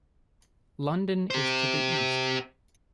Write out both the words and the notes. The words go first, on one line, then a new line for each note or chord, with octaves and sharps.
London is to the east.
G4 C5